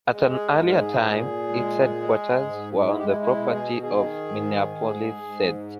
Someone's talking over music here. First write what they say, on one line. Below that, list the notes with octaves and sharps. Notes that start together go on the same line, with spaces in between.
At an earlier time its headquarters were on the property of Minneapolis-St.
G#3
G#4
G#2 A#4
A#4
G#4
A#4
A#2 G#4
G#3
G#3
G#2
G#3 E4
G4
E4
E4
B2
G#4
D#3 G#4
G#2
G#2
G#2